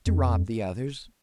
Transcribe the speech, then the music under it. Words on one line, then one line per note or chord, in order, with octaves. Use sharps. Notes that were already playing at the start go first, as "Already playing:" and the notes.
"To rob the others."
F2